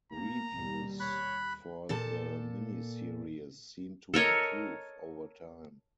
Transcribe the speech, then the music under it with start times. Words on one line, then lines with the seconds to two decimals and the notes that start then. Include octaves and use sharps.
Reviews for the miniseries seem to improve over time.
0.12 A#3 A#5
0.53 D#2 B2 G3
1.00 C#5 B5 F#6
1.89 A#2 A4 A5
4.14 A4 A#4 C#5 D#5